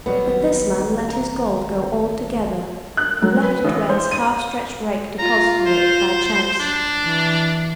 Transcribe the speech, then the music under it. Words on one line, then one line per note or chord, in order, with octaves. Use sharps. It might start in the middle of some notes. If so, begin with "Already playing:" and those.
But this man let his gold go all together, and left it where his half-stretched rake deposited it by chance.
G#1 F#3 G3 B3
A#5
F#6
F#3
B4
A1
C5
D#7
F4 A#5
C5
D4
E3